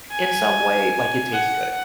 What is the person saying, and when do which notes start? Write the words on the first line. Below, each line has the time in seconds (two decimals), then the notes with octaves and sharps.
in some way, like, it tastes good.
0.12 G#5
1.33 F#5